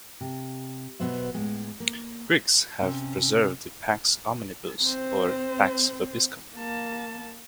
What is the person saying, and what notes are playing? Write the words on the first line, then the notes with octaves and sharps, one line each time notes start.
Greeks have preserved the "Pax omnibus" or "Pax vobiscum".
C3
B2 F#3 B3 C5 E5
A2 G#3
A#3
C3 C#4
C4 C5
A#3 A5